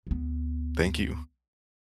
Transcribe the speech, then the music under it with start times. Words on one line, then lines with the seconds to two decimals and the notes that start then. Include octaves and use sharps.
Thank you.
0.07 D2 B3